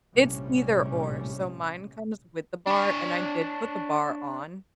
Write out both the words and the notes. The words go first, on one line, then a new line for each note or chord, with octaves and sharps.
It's either-or, so mine comes with the bar, and I did put the bar on
A#1 A2 C3 G3 C#4
D4 C#5